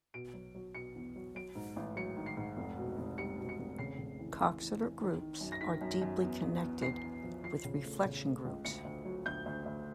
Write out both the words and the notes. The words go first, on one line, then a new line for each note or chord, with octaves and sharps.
Coxeter groups are deeply connected with reflection groups.
B2 D7
F#3
F#3
B2 C#7
E2
F#3
F#3 D7
G#2
A1
F#3 C#7
D#3
C7
G#2
F1
B2
F1
G3 C#7
B2
C#7
F1
C#3 C7
C#3
E3
E3
E3
E3
D#3
D#3
F#2
A#6
D#3 B6
F#2
F#2
E2
E2
E2
E2 C7
E2
F3
F3 C7
C#3
A3
C#3
A3
C#2
D2 C#7
D2
F#3
D2 G6
D2
D2